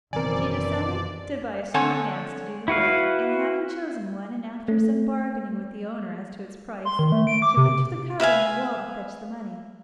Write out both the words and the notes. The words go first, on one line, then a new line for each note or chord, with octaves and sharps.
She decided to buy a strong ass to do the work, and having chosen one, and after some bargaining with the owner as to its price, she went to the cupboard in the wall to fetch the money.
F#1 B2 D#3 E3 C4 A#4 D5 G#5
D3 C4 A4 C#5 F#5 G#5
E4 F#4 B4 F5
A3
C6
D#3
A3
D7
D6
C3
B4 E5 F5 G#5